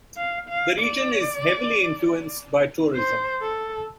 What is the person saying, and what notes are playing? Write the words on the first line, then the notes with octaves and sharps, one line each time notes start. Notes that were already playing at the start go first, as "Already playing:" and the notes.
The region is heavily influenced by tourism.
F5
F5
D5
C5
A4